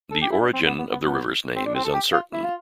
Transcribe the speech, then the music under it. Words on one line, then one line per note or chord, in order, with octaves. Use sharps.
The origin of the river's name is uncertain.
A4
G4
E4
D4
C4
B3
B3
B3
B3
C4
D4
C4
A4
G4
F4
E4
F4